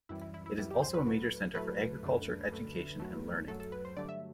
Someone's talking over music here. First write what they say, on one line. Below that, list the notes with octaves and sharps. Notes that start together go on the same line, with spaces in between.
It is also a major centre for agriculture, education and learning.
F#2 E3 G3 E4
E4
E4
E4
F#2 E3 G3 E4
G4
C5
B4
A2 F#3 A3
A2 F#3 A3 B4
F#2 D3 A3
F#2 D3 A3
F#2 F#3 A3
F#2 F#3 A3 A4
A4
B4
C5
G2 D3 F#3 A3 D5
E5